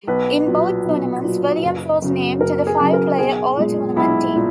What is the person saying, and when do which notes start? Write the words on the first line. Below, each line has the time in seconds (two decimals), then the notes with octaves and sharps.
In both tournaments, Williams was named to the five-player All-Tournament team.
0.08 B1 B4
0.46 A#2 F#3
0.85 B1
1.24 A#2 F#3
1.63 F#1
2.02 F#2 C#3 F#3
2.41 F#1 A#4
2.67 G#4
2.80 F#2 C#3 F#3
2.93 A#4
3.19 B1 G#4
3.57 A#2 G#3
3.96 B1 E4
4.35 A#2